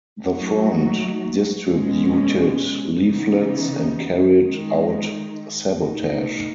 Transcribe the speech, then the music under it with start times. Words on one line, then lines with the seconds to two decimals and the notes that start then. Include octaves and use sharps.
The front distributed leaflets and carried out sabotage.
0.28 F#3 A3 D#4 F#4
1.65 B2 G#3 C#4
3.02 C#3 E3 B3 D#4
4.39 D#3 G#3 D#4
5.76 B2 A3 D#4